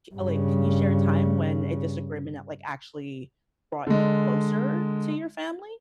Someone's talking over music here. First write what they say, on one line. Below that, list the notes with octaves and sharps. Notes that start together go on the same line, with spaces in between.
j uh, like, can you share a time when a disagreement that like actually brought you closer to your family?
G2 C#3
D3 G#3